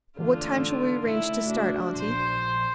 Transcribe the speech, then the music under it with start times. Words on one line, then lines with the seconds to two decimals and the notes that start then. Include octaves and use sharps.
"What time shall we arrange to start, auntie?"
0.18 D3 E3 A3 A#3 F4
0.56 G#2
1.07 C#3 A3 E4
1.43 D4 F#4
1.95 A#1 C5